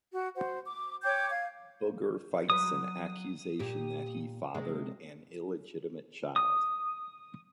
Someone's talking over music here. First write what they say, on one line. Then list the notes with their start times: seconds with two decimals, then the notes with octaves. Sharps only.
Booger fights an accusation that he fathered an illegitimate child.
0.12 F#4
0.35 F#4 C5 F#5
0.65 D6
1.03 C#5 G5 D6 G6
1.30 F5 G#6
2.50 F#3 B4 D#6
3.60 A#2 G4
4.54 C3 G#3
6.36 D#6